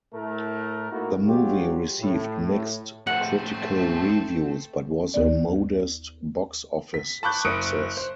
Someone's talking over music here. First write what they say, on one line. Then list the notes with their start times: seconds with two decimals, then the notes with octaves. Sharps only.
The movie received mixed critical reviews, but was a modest box office success.
0.14 A2 A3 A#4
0.92 A3 A#3 D#4 E4 F#4 A#4
1.27 F#3 G#3 F4 G4
2.00 A2
3.07 A2 F3 A3 C4 F#5
5.14 D#2 B3 D5
6.94 B6
7.23 A5 B5 C#6 D6 F#6 G6
7.45 F#1 A#4 D#6 C#7 D7
7.97 C5